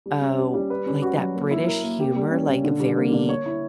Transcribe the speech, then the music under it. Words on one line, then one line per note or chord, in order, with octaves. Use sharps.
oh, like that British humor, like very,
G3
C#4
G4
G3
B4
C#4
F#4
F#3
A#3
E4
A#4
A#3
G4
G3
C#4
C#3
D3
G3
A#3
D3
C#5
E4